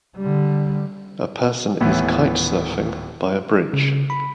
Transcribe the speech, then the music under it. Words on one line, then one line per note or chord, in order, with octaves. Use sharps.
A person is kite surfing by a bridge.
D3 G3
D#1 A2 E3 B3
C#3
B5